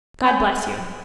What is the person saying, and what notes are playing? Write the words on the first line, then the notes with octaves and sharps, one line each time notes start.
God bless you!'
C4 C#5 G#5 G6